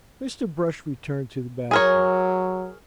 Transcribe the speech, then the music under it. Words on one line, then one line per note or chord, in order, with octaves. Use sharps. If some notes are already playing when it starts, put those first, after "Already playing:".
Mr. Brush returned to the bathroom.
F#3 G#4 A#4 C#5